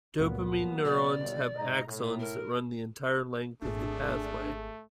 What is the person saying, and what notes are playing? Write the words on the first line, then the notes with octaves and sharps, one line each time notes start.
Dopamine neurons have axons that run the entire length of the pathway.
C#2 F#2 A#2 F#3 A#3 B3
B2 D5
G1 D#2
G#2 D#5 A#5
A2
A#4
D#1 G#1 A3 D4 G#4